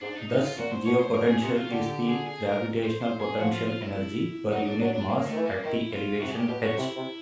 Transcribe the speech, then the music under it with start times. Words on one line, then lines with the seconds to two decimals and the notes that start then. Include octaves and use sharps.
Thus geopotential is the gravitational potential energy per unit mass at that elevation "h".
0.01 G#2 D4
0.16 D#4
0.29 A2 D#4
0.44 F4
0.57 A#2 F#4
0.71 C5
0.86 B2 C#5
1.00 C5
1.14 B2 A#4
1.28 G#4
1.42 C3 F#4
1.56 F4
1.70 D3 G4
1.89 G4
2.07 G#4
2.26 G#4
2.45 A#4
2.83 C5
3.01 C5
3.20 G#4
3.39 F3 F#4
3.53 F4
3.68 F4
3.81 E4
4.51 F#3 D#4
4.66 D4
4.80 F#3 D4
4.93 D4
5.07 F3 A#3
5.26 D#3 A3
5.36 E3
5.46 A#3
5.64 D#3 E4
5.93 F4
6.20 C3 F#4
6.30 G#4
6.35 G4
6.48 B2 G4
6.62 F#4
6.77 C3 E4
6.96 C3